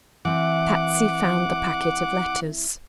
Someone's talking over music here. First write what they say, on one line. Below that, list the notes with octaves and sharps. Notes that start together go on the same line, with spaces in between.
Patsy found the packet of letters.
E3 C4 F#5 D6